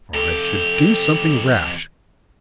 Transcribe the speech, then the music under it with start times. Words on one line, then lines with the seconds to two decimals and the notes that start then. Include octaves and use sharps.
"I should do something rash."
0.14 F2 G4 A4